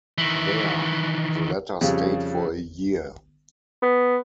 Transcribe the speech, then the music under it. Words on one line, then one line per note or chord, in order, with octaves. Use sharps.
There the letter stayed for a year.
D#3 E3
F2 C#3 G3
B3